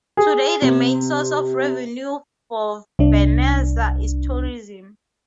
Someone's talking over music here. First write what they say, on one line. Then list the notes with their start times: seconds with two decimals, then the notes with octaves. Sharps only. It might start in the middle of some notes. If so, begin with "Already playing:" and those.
Today the main source of revenue for Vernazza is tourism.
0.17 G#4
0.62 C3
2.99 C2 D4